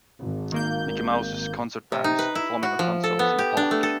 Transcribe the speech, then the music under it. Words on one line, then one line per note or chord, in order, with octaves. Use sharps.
Mickey Mouse's concert band is performing a concert in a park.
G#1
D#3 A#3 G6
C3
D#4
B4
E4
F#4
F3
A4
B3
G4
D4
A3
A4